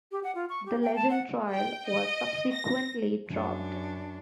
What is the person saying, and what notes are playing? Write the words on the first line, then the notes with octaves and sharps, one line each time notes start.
The "Legend" trial was subsequently dropped.
G4
F#5
F4
C#6
G4
G5
A5
F#5
G5
D#5
A#6
F#2 D4